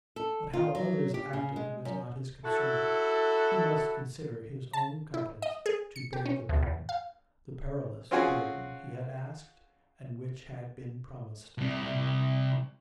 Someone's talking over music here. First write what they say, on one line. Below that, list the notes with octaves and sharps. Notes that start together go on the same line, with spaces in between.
But how others acted was not his concern; he must consider his own competence to bear the burden--the perilous burden he had asked, and which had been promised to him.
A4
F4
F#3
G4
C#3
G#3
F#2
E4 F#4 A4
A5
E4
D#5
G#4
C#7
G4
C#4
D2
E2
F5
C4 C#4 F4 F#4 G#4 G#5
C2 C3